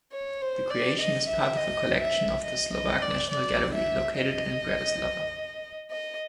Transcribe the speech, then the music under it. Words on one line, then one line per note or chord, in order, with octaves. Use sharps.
The creation is part of the collection of the Slovak National Gallery located in Bratislava.
C#5
C5
D5
D#5
E5
D#5
E5
D#5
D#5
D5
D5
E5
D#5
D#5